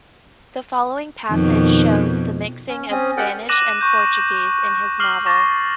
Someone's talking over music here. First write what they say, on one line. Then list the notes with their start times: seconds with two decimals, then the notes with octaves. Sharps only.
The following passage shows the mixing of Spanish and Portuguese in his novel.
1.31 F2 B2 D#3
2.68 C#4
2.91 C4 C#4 D#6
3.17 G4 A#4 D5 F#5 G5
3.49 D6 F#6 A#6 D#7 E7 F#7
3.81 C#6 G6
4.99 D6 F6 C7 F#7 G7
5.26 C#6 D6 A6 A#6